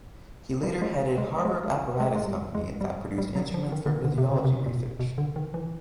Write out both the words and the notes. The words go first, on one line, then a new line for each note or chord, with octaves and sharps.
He later headed Harvard Apparatus Company that produced instruments for physiology research.
G3
G#3
G#3
G#3
G#3
G#3
G3
G#3
G3
G3
F#3
F3
D#3
D3
D#3
D3
C3
C#3
C3
A#2
B2
B2
D3
D#3
E3